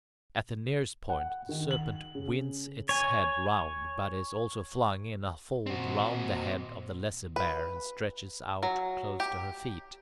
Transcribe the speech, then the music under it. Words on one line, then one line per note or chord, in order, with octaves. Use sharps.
At the nearest point, the Serpent winds its head round, but is also flung in a fold round the head of the Lesser Bear, and stretches out close to her feet.
F#5
D#3
F#7
C#3
C#5 G#5
A#2 C4 F#4 D#5 C6
B4
F#3
G4